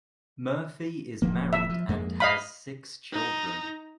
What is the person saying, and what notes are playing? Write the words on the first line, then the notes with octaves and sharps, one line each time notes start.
Murphy is married and has six children.
D1 F3 A#3
E5
F3
F2 G#3 A#3
D#5 F5 B5
D#4 A#5